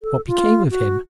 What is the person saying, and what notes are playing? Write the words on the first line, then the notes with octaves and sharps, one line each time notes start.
What became of him?
A4
F4
F#4